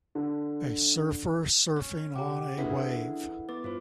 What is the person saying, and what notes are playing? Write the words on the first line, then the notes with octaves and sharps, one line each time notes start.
A surfer surfing on a wave.
D3
C#4
C3 G4 F#5 G5 D6
E3 C#4 D4 E4 G#4 A4 B4 F#5
B3 B4 D6 A6
G2 F4 B4 C5